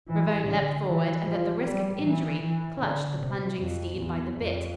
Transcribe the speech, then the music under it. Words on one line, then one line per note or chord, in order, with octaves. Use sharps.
Ravone leaped forward and at the risk of injury clutched the plunging steed by the bit.
E3
D3
E3
F3
G3
E3
E3
D3
C3
F2
E2
F2